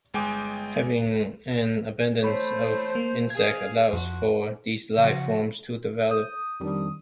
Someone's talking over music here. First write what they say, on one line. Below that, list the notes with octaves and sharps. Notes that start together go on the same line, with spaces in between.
Having an abundance of insects allows for these life-forms to develop.
G1 G#3 G5 G#5 D6
A3 C5 C#5 B5
A#3
G#4 F5 G#6
F2 F#4
C#3 F3 F#4
D#6 G6
F2 D#3 G3 D4